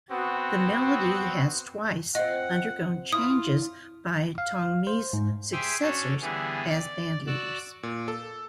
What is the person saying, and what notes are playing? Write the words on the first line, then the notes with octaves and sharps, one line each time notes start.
The melody has twice undergone changes by Tongmi's successors as band leaders.
B3 C4 F#4
C4 F4 D#5 F#5
E4 F4 D#6
F5
C5
G#2
G4 G#4 C5 E5 G5 G#5
C#4 D4 F#4 A4 C#5
D3 E3 G3 B3 G#4
D5
F#4 D5 E6 F#6
A#2
A4